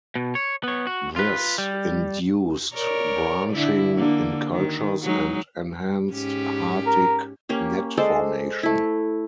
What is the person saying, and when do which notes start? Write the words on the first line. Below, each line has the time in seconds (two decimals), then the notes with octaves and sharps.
This induced branching in cultures, and enhanced Hartig net formation.
0.15 B2
0.35 C#5
0.64 B3 C#5
0.87 F#4
1.16 F4 B4
1.58 G3
2.74 A#4 C#5 D5
3.53 D3 E4
3.96 D3 A#3
4.52 D#3
5.03 F#3 G#3 D#4
6.12 G#2 C#4 G4
6.86 A#4
7.49 A#3 C#4 G4
7.97 G#3 A4 C5 D5
8.63 A3 E4